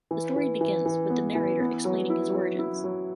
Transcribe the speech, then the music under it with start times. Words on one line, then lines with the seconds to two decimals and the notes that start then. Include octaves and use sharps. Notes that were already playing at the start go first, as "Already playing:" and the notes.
The story begins, with the narrator explaining his origins.
0.11 E3
0.36 E3
0.61 E3
0.86 E3
1.10 B3
1.35 E3
1.60 B3
1.85 F#3
2.10 E4
2.34 F#3
2.59 E4
2.84 F#3